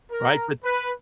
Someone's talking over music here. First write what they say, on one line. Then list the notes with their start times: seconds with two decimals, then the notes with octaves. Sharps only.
Right? But
0.12 A#4
0.64 B4